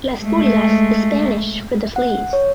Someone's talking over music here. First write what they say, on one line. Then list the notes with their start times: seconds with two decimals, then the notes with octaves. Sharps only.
Las Pulgas is Spanish for "The Fleas".
0.22 G#3 A3
1.96 F#5
2.33 C#5